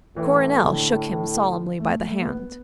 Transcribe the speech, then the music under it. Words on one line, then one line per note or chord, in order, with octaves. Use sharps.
Coronel shook him solemnly by the hand.
A2 E3
D3
A3
A3
A3
B3
B3